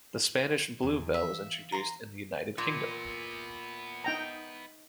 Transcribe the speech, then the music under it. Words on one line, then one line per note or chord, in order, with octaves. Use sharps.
The Spanish bluebell was introduced in the United Kingdom.
E2
E5 F5
A#5 C6
A#2 B3 E4
D#4 G5 A#5